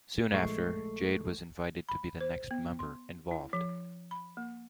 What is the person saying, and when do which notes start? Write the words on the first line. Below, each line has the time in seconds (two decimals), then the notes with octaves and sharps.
Soon after, Jade was invited to be the next member involved.
0.33 A#1 G#3 A3 A4 C#6 C7
1.89 B5
2.21 C5
2.51 B3
2.79 C6
3.31 E4
3.53 F3
4.11 B5
4.37 A#3